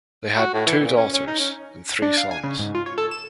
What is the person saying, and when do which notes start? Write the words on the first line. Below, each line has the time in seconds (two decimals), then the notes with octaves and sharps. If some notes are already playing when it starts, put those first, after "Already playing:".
They had two daughters and three sons.
0.38 F#4
0.54 A2
0.66 E3
0.82 A#2
0.97 C#4
1.14 C#4
1.27 D#4
1.39 C#4
2.02 D4
2.17 F5
2.31 G#5
2.44 C#3
2.59 G#2
2.75 F4
2.86 C#5
2.98 A4
3.11 E7